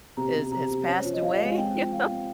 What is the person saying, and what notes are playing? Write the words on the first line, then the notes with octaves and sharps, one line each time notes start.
is has passed away, you know,
C3 A#5
C3
C3 A#5
C3
C#4 C#5
C5
F3 C#5
D#5
F3 F5
G#3
C4 G5
F3
F3 F5
C4